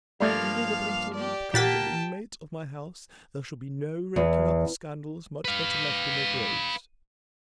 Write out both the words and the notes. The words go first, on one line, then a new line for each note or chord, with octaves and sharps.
If Julie Le Breton becomes an inmate of my house, there shall be no raking up of scandals much better left in their graves.
G2 F3 G3 A3 A#3 F5 F7
G4 D5
A#2 A#3 G4 F#5 G5 A5 A6 B6
E2
B4 F5